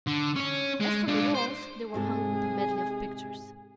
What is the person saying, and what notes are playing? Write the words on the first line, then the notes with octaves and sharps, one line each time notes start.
As for the walls, they were hung with a medley of pictures.
D3
C#4 C#5
G#3
D4 F4
C5
G#2 C3 G#4 A4